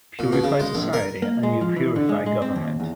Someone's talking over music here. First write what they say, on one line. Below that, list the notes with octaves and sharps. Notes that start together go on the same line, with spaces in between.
Purify society and you purify government.
A#2
B2
C#3
G#3
A#1
A#4
A#3
G#3
F3
E3
D3
G#3
G#3
C4
D#2
E2